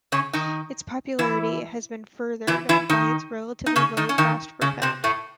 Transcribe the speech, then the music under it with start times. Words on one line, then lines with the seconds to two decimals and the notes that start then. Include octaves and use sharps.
Its popularity has been furthered by its relatively low cost per pound.
0.12 C#3 C#4
0.33 D#3 D#4
1.19 E3 E4
2.47 E3 E4
2.69 E3 E4
2.89 D#3 D#4
3.66 D#4
3.76 C#3 C#4
3.97 D#3 D#4
4.09 C#4
4.18 D#3 D#4
4.61 C#3 C#4
4.82 C3 C4
5.04 A2 A3